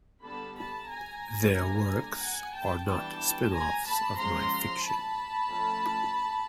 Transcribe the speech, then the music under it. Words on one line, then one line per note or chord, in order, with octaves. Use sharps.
Their works are not spinoffs of my fiction.
D3 G3 B3 A5 B5
A5 B5
G#5 A#5
D3 G3 A#3 D4
F#5 G#5
G5 A5
E3 G3 B3 D4 G5 A5
G#5 A#5
A5 B5
F3 G#3 C#4 A#5 C6
A5 B5
F3 A3 C#4